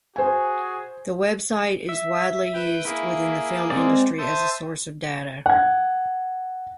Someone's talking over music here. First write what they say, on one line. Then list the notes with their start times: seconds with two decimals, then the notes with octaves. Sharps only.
The website is widely used within the film industry as a source of data.
0.16 F#4 G#4 C5 G#5
1.89 E5
2.54 B4 G5
2.85 A#3 E4 G#4
3.70 G#3 C4 D5
4.18 C5 E5 A5 D#6
5.46 F#5 G#6